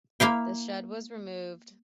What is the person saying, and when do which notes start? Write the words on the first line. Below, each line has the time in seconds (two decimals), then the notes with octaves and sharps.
The shed was removed.
0.20 A#3 E4 F5 G5